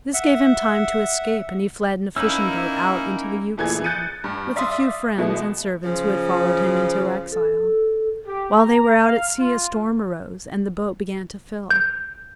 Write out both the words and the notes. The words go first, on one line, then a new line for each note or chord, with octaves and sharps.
This gave him time to escape, and he fled in a fishing boat out into the Euxine with a few friends and servants who had followed him into exile. While they were out at sea a storm arose, and the boat began to fill.
E5 F#5
A#3 C#4 D#4 E4 B4 E6
F2 A#2 E3 A3 G#4 G#6
F#6 G6 A6 C#7 D#7
G2
D5 E5 F5 C6 D#6
B2 E3 G#3 A3 B3
C#3 F3
A4
G4
A#5
F5
F4
G6